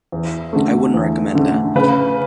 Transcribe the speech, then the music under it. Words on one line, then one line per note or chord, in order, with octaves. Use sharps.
I wouldn't recommend that.
E2
D3 A3
E2
D3 A3
C#3 B4